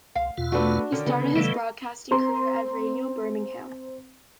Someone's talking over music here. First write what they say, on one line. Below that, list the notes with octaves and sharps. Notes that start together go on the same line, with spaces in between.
He started his broadcasting career at Radio Birmingham.
C2 F5
E2 B2 F4
A3 B3 D4 F#4
D3 D#3 C#4
C#3 B3
C#3 E3 G3 A3 E4 D#5 F5
C4 A#5 C6